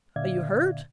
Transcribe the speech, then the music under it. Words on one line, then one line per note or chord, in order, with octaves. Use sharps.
Are you hurt?
A#2 D3 D5 E5 F5 G#6